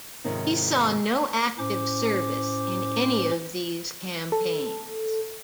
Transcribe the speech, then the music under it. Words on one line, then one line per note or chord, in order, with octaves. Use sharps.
He saw no active service in any of these campaigns.
F2 G#2 C3 D#3 C#4 D#4
A2 C#4 C5 D6
A4